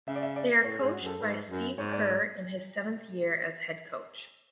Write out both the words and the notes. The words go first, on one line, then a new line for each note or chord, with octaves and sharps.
They are coached by Steve Kerr in his seventh year as head coach.
C#3 E5
D5
E5
D5
A2 C#5
G#2 G#4
F#4
F#2 A4
G#2 B4
F#2
G#2 C#5
D5
D5